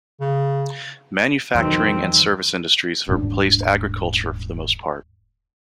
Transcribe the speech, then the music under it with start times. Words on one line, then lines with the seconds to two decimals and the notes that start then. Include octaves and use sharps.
Manufacturing and service industries have replaced agriculture for the most part.
0.20 C#3
1.55 E2 B2 D#3 F#3 C4
3.09 D#1 G#2 D4